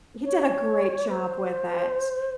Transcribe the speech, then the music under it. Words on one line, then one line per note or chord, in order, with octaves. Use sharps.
He did a great job with it,
C#5
C5